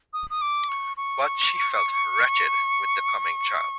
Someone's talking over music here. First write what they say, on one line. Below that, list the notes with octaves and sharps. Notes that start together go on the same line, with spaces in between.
But she felt wretched with the coming child.
D#6
D#6
D6
C#6
C#6